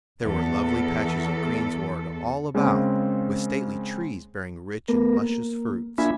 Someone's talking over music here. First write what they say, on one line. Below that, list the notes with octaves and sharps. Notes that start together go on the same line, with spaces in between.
There were lovely patches of greensward all about, with stately trees bearing rich and luscious fruits.
E2 A4
C#3 G#3 A#3 C4 C#4
A3 B3 A#4
A#3
A#3 D4 F4 E5 G#5 B5